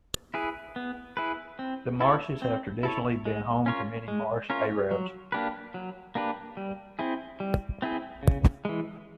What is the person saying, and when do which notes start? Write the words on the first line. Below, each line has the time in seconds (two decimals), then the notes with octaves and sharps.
The marshes have traditionally been home to many Marsh Arabs.
0.34 E4 G#4 B4
0.76 B3
1.17 E4 G#4 B4
1.59 C4
2.01 E4 A4 C#5
2.42 C4
2.83 E4 A4 C#5
3.25 G#3
3.66 C#4 F4 A#4 C#5
4.08 G#3
4.50 C#4 F4 A#4 C#5
4.91 F#3
5.32 A#3 D4 G4 B4
5.74 F#3
6.15 A#3 D4 G4 B4
6.57 G3
6.99 C4 E4 G#4
7.40 G3
7.82 C4 E4 G#4
8.23 C#3
8.65 E3 G#3